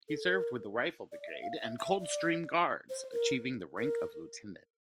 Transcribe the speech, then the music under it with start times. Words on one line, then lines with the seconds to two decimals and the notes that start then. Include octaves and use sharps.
He served with the Rifle Brigade and Coldstream Guards, achieving the rank of lieutenant.
0.09 A4
0.23 A#4
1.12 D5
1.27 E5
1.42 F5
1.56 E5
1.79 E5
2.01 D5
2.90 C5
3.12 A#4
3.78 A#4